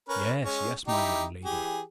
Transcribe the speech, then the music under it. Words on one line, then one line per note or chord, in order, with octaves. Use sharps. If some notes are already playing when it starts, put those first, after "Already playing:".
Yes--yes, my young lady!
C#4 A#4 B4
G#3 C#4
D#4 E4 G4
E3 G4 G#4